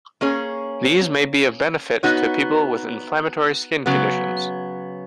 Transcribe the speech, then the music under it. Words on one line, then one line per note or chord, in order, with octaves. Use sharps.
These may be of benefit to people with inflammatory skin conditions.
A#3 C#4 G#4 C#5
B3 D#4 F#4 C#5
C#3 F#3 B3